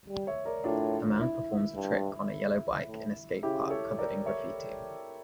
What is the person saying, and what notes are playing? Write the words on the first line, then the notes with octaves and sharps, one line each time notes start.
A man performs a trick on a yellow bike in a skate park covered in graffiti.
G3
C#5 E5
A#4 D5
A2 D4 F4
E4
G2
A2
C#3 E4 G4
A4 C#5
A#4 D5
C#5 E5